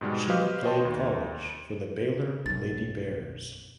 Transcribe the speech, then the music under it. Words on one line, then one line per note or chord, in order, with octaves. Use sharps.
She played college for the Baylor Lady Bears.
G#2 B2 G3 G#3
G4 B4 C5 D#5 F5
C5 C#5 D#5 G5 A5 C6
D#2
B1 F#2 A6